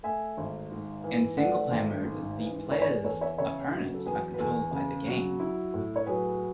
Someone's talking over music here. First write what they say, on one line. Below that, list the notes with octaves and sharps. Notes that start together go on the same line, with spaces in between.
In singleplayer mode, the player's opponents are controlled by the game.
A3 E5 G#5
G#1
G#2
E3
A3 D5 F#5
G#1
G#2
E3
E2 C#5 E5
C#5
B4 D5
E2 A4 C#5
C#5 E5
C#3 C#5 E5
F#3
A4
E2 G#4 B4
B4
E2 A4
C#3
F#3
E4
A2
C#5
F#3 G#4 B4